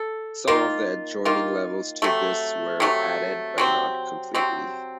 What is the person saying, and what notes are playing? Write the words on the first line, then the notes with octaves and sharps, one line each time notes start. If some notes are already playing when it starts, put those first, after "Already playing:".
Some of the adjoining levels to this were added, but not completely.
Already playing: A4
D#3 A#3 F4
D#3 A#3 F4
C3 F#3 A3
C3 F#3 A3
C3 F#3 C4
C3 F#3 C4